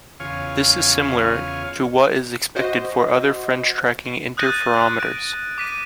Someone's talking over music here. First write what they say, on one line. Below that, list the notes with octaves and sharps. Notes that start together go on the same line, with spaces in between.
This is similar to what is expected for other fringe tracking interferometers.
E2 C#3 F4 C#5 F5 G#5
F#4 C5 D#5
D#6 F#6 G6 A6 A#6 D#7
D7
D6 B6 D#7